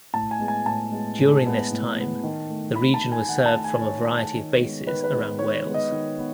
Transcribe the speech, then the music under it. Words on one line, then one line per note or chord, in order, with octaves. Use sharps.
During this time, the region was served from a variety of bases around Wales.
A2 A5
G#5
G#3 B3
G#5
A2 A5
G#3 B3
A2
G#3 B3
A2
G#3 B3
D#3
A3
D#3 B5
A5
A3
G#5
D#3 F#5
A5
A3
G#5
D#3 C#5
A3
D#3
G#3 B3
D#3 B4
B4
G#3 B3
B4
D#3 C#5
G#3 B3
D#5
D#3
B3